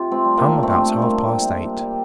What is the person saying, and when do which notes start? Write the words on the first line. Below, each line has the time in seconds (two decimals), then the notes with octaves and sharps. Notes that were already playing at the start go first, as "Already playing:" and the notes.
Come about half-past eight.
Already playing: C3 F4 G4
0.11 A3 C4
0.25 G3
0.37 A#3 D4
0.63 C3 A3 C4
1.02 G3 A#3
1.41 C3
1.80 G3